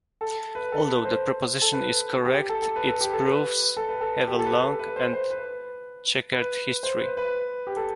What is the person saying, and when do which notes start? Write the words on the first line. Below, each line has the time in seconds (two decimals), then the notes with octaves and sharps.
Although the proposition is correct, its proofs have a long and checkered history.
0.21 A4
0.55 B4
0.72 A4
0.88 B4
1.05 C5
1.62 A4
1.73 B4
2.25 G4
2.49 A4
2.62 A4
2.76 B4
2.88 A4
3.01 G4
3.13 A4
3.26 B4
3.77 A4
3.89 B4
4.01 A4
4.28 G4
4.39 A4
4.45 B4
4.63 A4
4.79 B4
4.96 C5
5.13 C5
5.31 B4
6.33 B4
6.83 C5
6.99 B4
7.17 B4
7.67 G4
7.77 A4